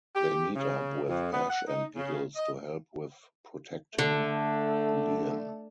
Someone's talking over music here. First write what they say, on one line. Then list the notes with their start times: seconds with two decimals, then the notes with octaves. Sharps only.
They meet up with Ash and Giggles to help with protecting Liam.
0.16 G4
0.56 C#3
1.08 F2
1.33 B3
1.50 F#5
1.67 D#4
1.96 C#3
2.35 D#5
3.99 D3 A3